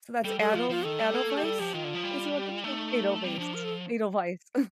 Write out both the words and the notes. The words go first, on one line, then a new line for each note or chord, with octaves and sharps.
So that's Adelw Adelweis, is that what it's called? Edelweiss, Edelweiss, ugh.
G3 A4
G3 A4
F3 F4
F3 F4
D#3 A4
G3
A#3
A3
G4
G3 A4
F3 G4
D#3 F4
D3
F3
G3
G4
F4
A3 D#4
G3 C4
F3 D4
A#4
A4